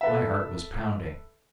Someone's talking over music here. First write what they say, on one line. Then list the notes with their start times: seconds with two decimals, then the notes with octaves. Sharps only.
My heart was pounding.
0.01 A4 B4 E5